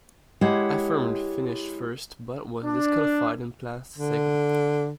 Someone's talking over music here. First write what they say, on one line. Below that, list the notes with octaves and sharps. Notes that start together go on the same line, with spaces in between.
Affirmed finished first but was disqualified and placed second.
G#3 E4 G4 C#5 F#5
D4
D3